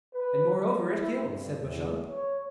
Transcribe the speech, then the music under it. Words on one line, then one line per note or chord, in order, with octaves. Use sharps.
"And moreover, it kills," said Beauchamp.
B4
F#3
E4
G2
E2
C#5